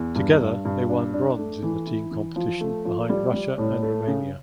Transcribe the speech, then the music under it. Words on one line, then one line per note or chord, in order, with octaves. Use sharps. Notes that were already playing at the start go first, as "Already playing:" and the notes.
Together they won bronze in the team competition behind Russia and Romania.
Already playing: E2
G2
G2
G2
D4
D4
A3
E3
E4
E3
F3
A3
F3
G3
G3
A2
A3
C#3